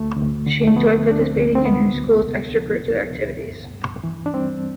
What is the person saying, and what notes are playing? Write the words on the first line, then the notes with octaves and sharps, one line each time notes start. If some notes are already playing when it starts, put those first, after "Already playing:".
She enjoyed participating in her school's extracurricular activities.
Already playing: D2 A3
D2
D3
A3
F3 B3
D2 D4
C4
D2
C4
D2 B3
D2
C3
F3
D2
D2
G2
G2
E3
D4
G3 C4